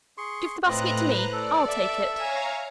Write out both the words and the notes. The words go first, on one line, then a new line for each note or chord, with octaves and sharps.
'Give the basket to me,--I'll take it.'
G#4 C6 C#6
A2 C4 F4 B4 C5 D#5 A#5 F#6
A4 D5
E5
C#5 E5 F5 G#5 A#5